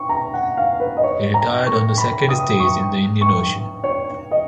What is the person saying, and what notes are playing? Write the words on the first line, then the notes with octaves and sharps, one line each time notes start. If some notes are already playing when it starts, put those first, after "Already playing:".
He retired on the second stage in the Indian Ocean.
Already playing: C#6
A#5
F#5
F5
B4
D#5
C#5
A#5
C#6
B5
D#6
C#6
C#6
C#5
D#5